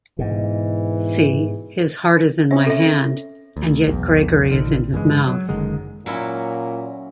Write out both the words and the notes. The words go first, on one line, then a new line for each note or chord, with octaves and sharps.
See, his heart is in my hand, and yet Gregory is in his mouth.
G#2 B2 E3
C4 C#4 E5
A4 E5
D2
B1 E2
A#1 D3 D#3
G2 C#3 E3 G#3
F#3
F#1 D3 D#3 G#3
A#2 F#3 C#4 E4